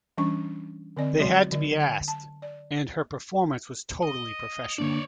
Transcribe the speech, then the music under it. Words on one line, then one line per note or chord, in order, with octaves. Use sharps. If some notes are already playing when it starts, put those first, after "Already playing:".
They had to be asked, and her performance was totally professional.
E3 G3 C#4 D4 C#6
D3 C4 D5 D#5
F#3 G#3 F#4 C#5 D5 C6
D3 D5 D#5
A5
D5
D#5
D3 A#3 D4 C#5 D5